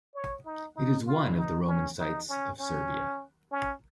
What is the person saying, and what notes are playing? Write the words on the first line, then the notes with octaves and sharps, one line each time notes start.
It is one of the Roman sites of Serbia.
C#5
D#4
D#4
F4
D#4
C#4
D#4
C#4
C#4
C#4